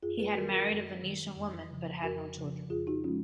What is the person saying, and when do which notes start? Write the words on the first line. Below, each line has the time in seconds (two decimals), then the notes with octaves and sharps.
He had married a Venetian woman but had no children.
0.03 F#2 F4 G#4
0.19 G#4 B4
0.36 D#3 F#3 F#4 A#4
0.53 F#4 A#4
0.70 F#2
1.03 D#3 F#3
1.36 F2
1.70 C#3 F3
2.03 F2 F#4 A#4
2.37 C#3 F3
2.70 F2 F4 G#4
2.87 D#4 F#4
3.04 F3 G#3 C#4 F4